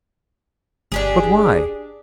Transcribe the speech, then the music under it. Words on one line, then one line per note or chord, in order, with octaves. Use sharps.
"But why?"
G1 D4 G4 G#4